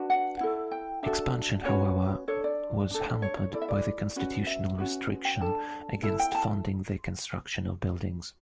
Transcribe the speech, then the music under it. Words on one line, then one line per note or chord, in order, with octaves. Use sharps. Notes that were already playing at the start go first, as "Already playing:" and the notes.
Expansion, however, was hampered by the constitutional restriction against funding the construction of buildings.
Already playing: D4 F#4 B4
F#5
E4 A4
G5
D4 F#4 A4 E5
C#4 F#4 B4 C#5
D4 A4 C#5
D5
D4 A4
C#5
C#5
E4 A4 D5
E5
D5
C#4 F#4 B4
E5
C#4 F#4 B4
G5
D4 A4 A5
E4 A4 A5
G5
A5